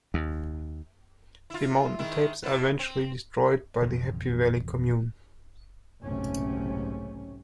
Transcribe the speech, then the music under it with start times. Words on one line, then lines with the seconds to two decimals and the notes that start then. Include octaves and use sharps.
The Mountain Tapes are eventually destroyed by the Happy Valley commune.
0.14 D#2
1.50 E4 F4
1.99 D#3 G#3 E4
2.43 B2 E4
2.79 C4
3.81 A1 F2 B2 D3
6.04 F#1 B1 G#2 C3 A3 C#4